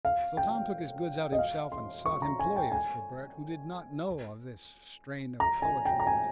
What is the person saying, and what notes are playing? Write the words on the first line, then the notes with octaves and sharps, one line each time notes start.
So Tom took his goods out himself, and sought employers for Bert who did not know of this strain of poetry in his nature.
F5
G5
D#5
F5
C6
C#6
A#5
G#5
G5
G#5
A#5
G#5
G5
A#5
G#5